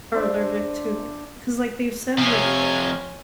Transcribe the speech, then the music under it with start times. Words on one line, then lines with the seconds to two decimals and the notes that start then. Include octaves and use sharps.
are allergic to, like 'cause, like, they've said, like
0.13 D4 C5 E5 A5
2.18 C3 F3 C#5 G#5